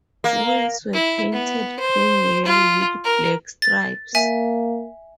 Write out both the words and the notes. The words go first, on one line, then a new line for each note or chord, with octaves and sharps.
Wheels were painted cream yellow with black stripes.
A#3
E4
B3
C5
F4
A#4
A6
A#3 E5 G#5